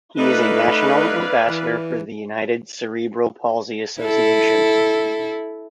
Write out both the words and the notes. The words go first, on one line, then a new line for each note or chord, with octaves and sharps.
He is a national ambassador for the United Cerebral Palsy Association.
A3 D#4 E4 B4 D5 F5
E3
E4 A4